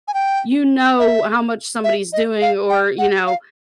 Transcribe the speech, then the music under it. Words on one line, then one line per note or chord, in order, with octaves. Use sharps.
you know how much somebody's doing, or, you know
G#5
G5
E5
E5
D#5
F5
G5
F#5
F5